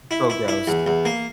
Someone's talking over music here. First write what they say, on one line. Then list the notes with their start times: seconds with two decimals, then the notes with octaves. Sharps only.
So gross.
0.11 E4
0.30 E4
0.48 E4
0.68 E2
0.87 E2
1.05 A#3